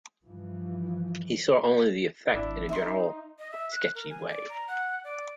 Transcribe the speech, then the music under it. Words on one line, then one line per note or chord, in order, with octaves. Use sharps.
He saw only the effect in a general, sketchy way.
G2 E3 F3
G#1 D4 E4
D#4 E5 C6
D#5
E5
F#6
A#4
G#5
D5
A#5
F#5
D5